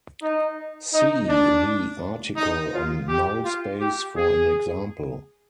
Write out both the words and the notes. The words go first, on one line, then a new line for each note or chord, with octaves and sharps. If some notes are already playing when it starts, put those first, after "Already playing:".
See the article on null space for an example.
D#4
D#4
D4
D#4
F4
G4
F4
G4
G#4